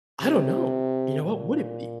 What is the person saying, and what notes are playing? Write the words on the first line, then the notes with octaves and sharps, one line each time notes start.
I don't know. You know, what would it be?
C3
A#2